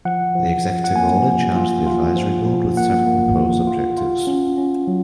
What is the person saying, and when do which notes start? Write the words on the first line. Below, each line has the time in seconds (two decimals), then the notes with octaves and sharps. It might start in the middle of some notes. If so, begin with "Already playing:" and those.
The Executive Order charged the advisory board with several proposed objectives.
0.05 F3 F#5
0.35 F3
0.65 F3
0.84 F#5
0.95 A#3 G#5
1.26 F3
1.56 F4
1.87 F4
2.16 F3
2.46 F3
2.77 A#3 F#5
3.06 A#3
3.38 F3
3.67 F4
3.98 F4
4.27 C#4
4.57 C#4
4.88 F#3